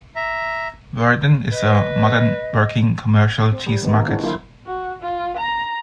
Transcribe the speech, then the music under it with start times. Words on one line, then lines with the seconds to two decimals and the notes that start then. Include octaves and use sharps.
Woerden is a modern working commercial cheese market.
0.16 E5 A#5
1.52 B4 D#5
3.52 C4
3.67 G3
3.82 D#3 B3 D#4
3.94 D#3 A#3 D#4
4.07 E3 G#3 C4 D4 F#4
4.24 D3 F#3 A#3 E4 F4
4.66 F#4
5.02 F4
5.37 A#5